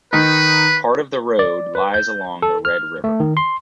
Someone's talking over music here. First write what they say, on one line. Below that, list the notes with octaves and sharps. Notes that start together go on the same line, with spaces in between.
Part of the road lies along the Red River.
D#3 D#4 B4
D5
B4
G6
A4
F6
A3
D#3
C6